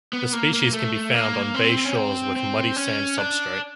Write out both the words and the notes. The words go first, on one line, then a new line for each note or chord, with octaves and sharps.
The species can be found on bay shores with muddy sand substrate.
B3
A#3
A#3
A3
A#3
C4
C#4
C4
C4
C#4
D4